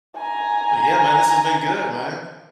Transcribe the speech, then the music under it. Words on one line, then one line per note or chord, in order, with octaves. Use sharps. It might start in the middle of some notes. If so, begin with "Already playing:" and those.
But, yeah, man, this has been good, man.
G#5 A#5